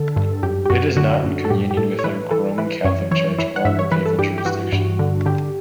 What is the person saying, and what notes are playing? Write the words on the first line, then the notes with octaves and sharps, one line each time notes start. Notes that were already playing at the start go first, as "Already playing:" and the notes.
It is not in communion with the Roman Catholic Church or under papal jurisdiction.
Already playing: D3 A4
G2
F#2 G4
G4
F#2 F#4
D3 F#4
F#2
A4
A2 G4
G4
A2 A4
C#5
E3 B4
E3 A4
E3 B4
F#2 C#5
E3 C#5
E3
F#5
G2 E5
C#5
E3 B4
A4
G2 G4
G4
E3 F#4
G2
D3
D3 G4